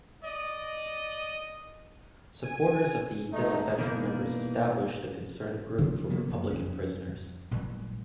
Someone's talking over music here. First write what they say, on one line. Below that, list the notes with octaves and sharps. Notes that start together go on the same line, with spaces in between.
Supporters of the disaffected members established the Concerned Group for Republican Prisoners.
D5 D#5
G#5
G#2 A3 D#4
B2 E3 A#3 D4 D#4
C#3 F3 D4
C#3 F3 A#3 B3
F#2 A#3
F2 C#4
A1 A#2 F#3 G3